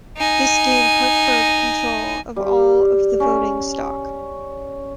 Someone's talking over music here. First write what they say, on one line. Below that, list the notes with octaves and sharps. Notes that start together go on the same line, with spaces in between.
This gave Hartford control of all of the voting stock.
D#4 G#5
G3
C#4